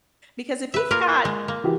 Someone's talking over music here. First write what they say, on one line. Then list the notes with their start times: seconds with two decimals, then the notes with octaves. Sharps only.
because if you've got
0.74 B4 E5
0.91 A#3 F4 A#4
1.25 G#3
1.48 A#3
1.64 E3 F#4 G4